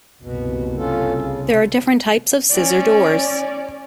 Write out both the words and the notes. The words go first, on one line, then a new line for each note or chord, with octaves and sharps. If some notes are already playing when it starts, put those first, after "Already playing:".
There are different types of scissor doors.
F#1 C2 B2
C#4 F4 A4
C#3
C#4 D5